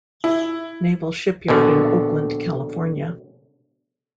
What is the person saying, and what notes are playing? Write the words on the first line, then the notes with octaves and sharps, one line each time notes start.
Naval Shipyard in Oakland, California.
E4
A#1 B2 D3